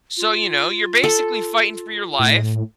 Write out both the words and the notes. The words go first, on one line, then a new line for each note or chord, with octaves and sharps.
so, you know, you're basically fighting for your life.
F4
A4
A2